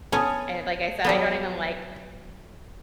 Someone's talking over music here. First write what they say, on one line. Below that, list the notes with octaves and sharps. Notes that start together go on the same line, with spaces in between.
And, like I said, I don't even like
B3 C#4 C#5 G#5 A5 D#6
F#3 G3 B3